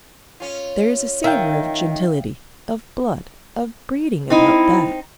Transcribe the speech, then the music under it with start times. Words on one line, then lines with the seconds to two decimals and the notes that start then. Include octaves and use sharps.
There is a savor of gentility, of blood, of breeding, about that.
0.40 C#4 F4
1.24 D#3 E5 F5 G5
4.30 C4 D#4 E4